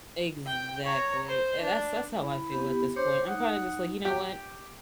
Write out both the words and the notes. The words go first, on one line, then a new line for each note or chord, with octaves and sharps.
Exactly, and that's that's how I feel at this point, I'm kinda just, like, you know what?
G5
C#5 A#5
C5
D4
E4
B3 G4
D4 C5 C#5
D#4 F#5
G4